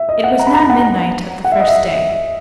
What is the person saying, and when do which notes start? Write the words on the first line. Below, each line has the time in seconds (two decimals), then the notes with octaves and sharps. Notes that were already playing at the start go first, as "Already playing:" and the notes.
It was now midnight of the first day.
Already playing: E5
0.09 D#5
0.24 F#5
0.39 A#5
0.47 B5
0.54 A#5
0.70 F#5
1.44 F#5
1.52 E5
1.60 D#5
1.68 E5